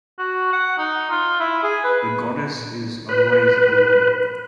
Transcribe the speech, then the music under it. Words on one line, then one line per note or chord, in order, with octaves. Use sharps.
The goddess is otherwise unknown.
F#4
F#5
D#4
F4
E4
G#4
B4
B4